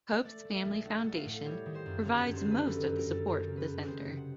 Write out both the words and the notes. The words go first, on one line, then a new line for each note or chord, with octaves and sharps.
Pope's family foundation provides most of the support for the center.
A3 D5
A3
E5
A#1
A3 F#5
A3
F5
A2
G3 C#5
D#3
C5
F#2
G1 C#5
F#2
C5
G1 B4
F#3 A4
A4
F#2
A#4
F#2 A4
F#2 A#4
C#3
B4
F#2
D#3 C5
C3
F#5